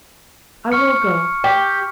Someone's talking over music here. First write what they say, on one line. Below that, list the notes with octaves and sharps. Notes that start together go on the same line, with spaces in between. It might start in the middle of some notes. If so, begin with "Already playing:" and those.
'I will go.
C#6 F6 C#7
G4